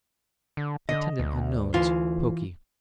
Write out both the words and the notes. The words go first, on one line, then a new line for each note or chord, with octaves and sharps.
Attendant unknowns; pokey.'
D3
D3 D#5
D2
E3 F4